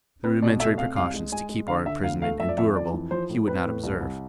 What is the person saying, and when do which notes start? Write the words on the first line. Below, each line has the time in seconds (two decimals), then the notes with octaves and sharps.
The rudimentary precautions to keep our imprisonment endurable he would not observe.
0.24 C4 B4
0.42 B2 D5
0.60 A3 E5
0.78 C4 F5
0.96 C2 F5
1.14 G#3
1.32 G#3 G#5
1.50 G#3
1.68 D3 F5
1.86 D3 E5
2.04 D2 F5
2.22 A3 F5
2.40 F2 E5
2.49 D5
2.57 F2 E5
2.75 F2 D5
2.94 E3
3.11 F3 C5
3.29 A2
3.47 C4 B4
3.65 A2
3.83 C2
4.01 C2